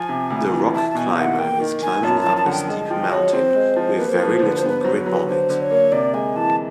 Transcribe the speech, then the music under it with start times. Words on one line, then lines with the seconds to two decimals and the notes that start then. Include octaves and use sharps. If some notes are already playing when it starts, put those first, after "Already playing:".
The rock climber is climbing up a steep mountain with very little grip on it.
Already playing: F3 G#5
0.09 C3
0.30 D2
0.52 E3
0.74 E4 A5
0.90 A5
0.95 B2 G#5
1.11 F5
1.17 E4 F#5
1.38 A#3 G5
1.60 D#3
1.82 D#3 G#5
2.03 F#2 A5
2.20 A5
2.25 F3
2.36 A5
2.46 D3 F#5
2.52 G5
2.68 G#3 A5
2.90 F3 G5
3.11 F#4 C#5
3.32 C4 C5
3.54 G#3
3.76 F3
3.97 A#3 B4
4.09 C5
4.19 F3 B4
4.33 C5
4.41 D3 B4
4.56 C5
4.62 B3
4.68 B4
4.80 F#3 C5
4.92 B4
5.06 F#3
5.27 D3 C5
5.49 D3
5.60 C#5
5.70 A#3
5.91 C3 D5
6.14 G#3 G#5
6.35 E3 A5